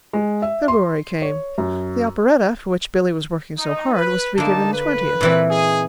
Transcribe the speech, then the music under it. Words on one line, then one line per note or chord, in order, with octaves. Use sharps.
February came The operetta, for which Billy was working so hard, was to be given the twentieth.
G#3
E5
C6
C#5
F#2
D#4
B4
D3 A#3 D#4 A5
B4
A#2 E3 C4
D#4 G#4